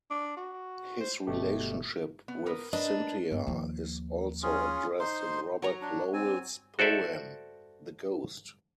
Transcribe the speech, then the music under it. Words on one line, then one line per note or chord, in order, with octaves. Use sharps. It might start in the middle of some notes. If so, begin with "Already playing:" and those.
His relationship with Cynthia is also addressed in Robert Lowell's poem, The Ghost.
D4
F#4
C5
G1 B2 A3 G4
B3
B3 A#4 B4
D4 A#4 B4 D#5
G2 B3
D#2 F3
C#4 F4 G#4
D#4 C5 C6
F#3 C#5 A#5
D4
C4 G#5
F#4 A4 C5 D5 E5